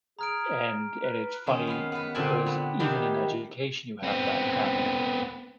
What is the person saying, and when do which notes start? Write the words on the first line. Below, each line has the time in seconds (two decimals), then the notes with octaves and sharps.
and, and it's funny because even in education you have that happening
0.19 G#4 A#5 F6 D7
1.04 B4
1.47 D#3 G#3 C#4
1.67 B3 F5
1.92 B3 B4
2.14 A#2 D3 C4 D4 D5 G#5
2.46 B3
2.80 D#3 E3 G3 D4 D#4 G4
4.03 B3 C4